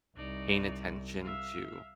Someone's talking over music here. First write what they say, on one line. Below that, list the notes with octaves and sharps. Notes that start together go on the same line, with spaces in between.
paying attention to
C2 D#4 D5
E5 F5